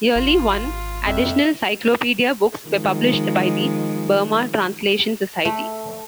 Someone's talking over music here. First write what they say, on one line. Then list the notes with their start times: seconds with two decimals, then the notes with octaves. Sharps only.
Yearly one additional cyclopedia books were published by the Burma Translation Society.
0.16 G#1 F4
1.05 F2 E5
2.67 D#3 F3 G#3
5.45 A3